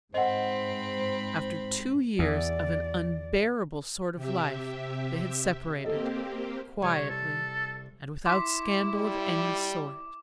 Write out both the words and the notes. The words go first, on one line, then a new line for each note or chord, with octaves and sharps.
After two years of an unbearable sort of life they had separated--quietly, and without scandal of any sort.
G#2 C4 C5 D#5 F#5 B5
E2 D5
C3 G4 E5
A#3 C4 G4 A4 D#5
C2 C#5
A4
E4 C6 D6 B6
G3